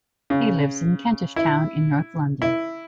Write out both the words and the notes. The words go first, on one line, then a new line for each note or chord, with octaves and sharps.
He lives in Kentish Town in north London.
C#3
E4
E4